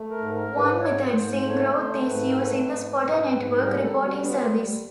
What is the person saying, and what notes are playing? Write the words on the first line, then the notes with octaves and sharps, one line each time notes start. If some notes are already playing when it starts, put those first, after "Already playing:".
One method seeing growth is using the Spotter Network reporting service.
Already playing: A3
A#4
G#2
A#4
G#2
B4
G#2 C#5
C5
G#2
C5
A3
C#5
A3 C5
G#2 B4
A#4
A3 B4
G#2
G#2
G#2
G3 A#4
A4
G3
F#4
B3
F4
G3